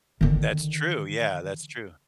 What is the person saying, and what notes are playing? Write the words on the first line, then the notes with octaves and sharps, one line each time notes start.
That's true, yeah, that's true.
D3 D#3